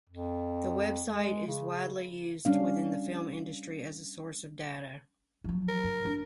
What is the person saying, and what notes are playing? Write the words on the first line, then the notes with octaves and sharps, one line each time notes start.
The website is widely used within the film industry as a source of data.
F2
G#3
C#3
G3 C#4 D4 F5
F3 F#3
A#4
G2
D4